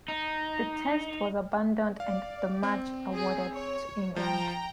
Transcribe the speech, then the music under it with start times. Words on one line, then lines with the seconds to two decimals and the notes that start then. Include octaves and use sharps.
The Test was abandoned and the match awarded to England.
0.08 D#4
2.00 D5 F5
2.63 C4
3.13 G#4
3.54 C#5
4.16 F3 G5 A#5